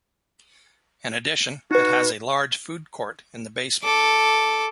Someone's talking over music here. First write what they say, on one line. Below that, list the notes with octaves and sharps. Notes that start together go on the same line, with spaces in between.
In addition, it has a large food court in the basement.
D#4 F#4 B4
A4 D6